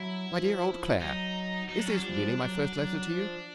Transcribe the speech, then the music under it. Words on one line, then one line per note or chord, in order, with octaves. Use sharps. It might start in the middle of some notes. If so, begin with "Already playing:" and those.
MY DEAR OLD CLAIRE,--Is this really my first letter to you?
Already playing: F#3 E4
F3
F#3 D#4
F#3 D#4
D4
C#4
D4
F3 G3
F#3
F#3
F3